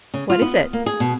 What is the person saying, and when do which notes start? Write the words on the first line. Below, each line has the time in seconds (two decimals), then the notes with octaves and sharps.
"What is it?"
0.14 C#3
0.30 F4
0.42 B3
0.73 A#3
0.86 G#4
1.00 B2